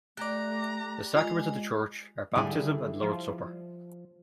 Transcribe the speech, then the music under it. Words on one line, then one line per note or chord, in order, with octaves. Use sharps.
The sacraments of the church are baptism and the Lord's Supper.
A3 G4 D5 A#5 D6 F#6
G#3 F4 D#5 G#5
D3 G3 E4 G#4
F3